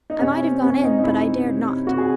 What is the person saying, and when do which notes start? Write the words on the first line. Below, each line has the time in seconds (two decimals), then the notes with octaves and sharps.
I might have gone in, but I dared not.
0.10 D#4
0.20 C3 C#4
0.41 C4
0.62 C3 C#4
0.83 D#4
0.98 D#4
1.04 C3 E4
1.46 C3
1.87 C3 F#4
1.98 G#4